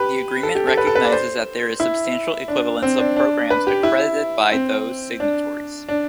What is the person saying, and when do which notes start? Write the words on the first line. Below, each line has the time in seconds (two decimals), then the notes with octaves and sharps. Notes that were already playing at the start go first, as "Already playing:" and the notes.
The agreement recognizes that there is substantial equivalence of programs accredited by those signatories.
Already playing: G4 B4
0.43 A4
0.55 G4
0.67 A4
0.77 B4
0.87 A4
0.95 B4
1.05 D5
1.12 C5
1.80 E4
2.48 D4
2.82 C4
2.98 D4
3.16 D4
3.50 B4
3.67 G4
3.83 E4
4.52 C4
5.20 D4
5.89 D4